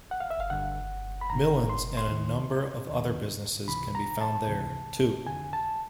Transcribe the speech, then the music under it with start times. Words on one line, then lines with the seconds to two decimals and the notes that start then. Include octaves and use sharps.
Millyn's and a number of other businesses can be found there, too.
0.11 F#5
0.20 F5
0.30 E5
0.40 F5
0.50 G2 D3 F#5
1.21 B5
1.30 G2 D3 A#5
1.70 C6
1.97 C6
2.09 D#2 D#3
2.89 D#2 D#3
3.68 C#2 C3 E3 B5
3.95 A#5
4.21 A5
4.47 C#2 C3 E3
5.26 F2 D3 G#5
5.53 A5